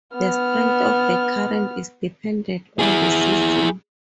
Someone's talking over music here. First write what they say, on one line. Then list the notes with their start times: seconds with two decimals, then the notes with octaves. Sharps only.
The strength of the current is dependent on the season.
0.14 B3 F6
2.79 E4 G#4